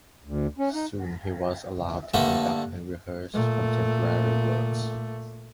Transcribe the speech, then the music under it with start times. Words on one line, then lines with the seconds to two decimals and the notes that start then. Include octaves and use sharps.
Soon he was allowed to conduct and rehearse contemporary works.
0.24 D2
0.59 C#4
0.74 D#4
2.14 G2 D3 A3 A#3
3.34 A#2 A3